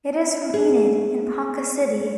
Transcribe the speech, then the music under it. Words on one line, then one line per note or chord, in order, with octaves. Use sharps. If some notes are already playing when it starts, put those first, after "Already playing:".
It is from Enid and Ponca City.
G#4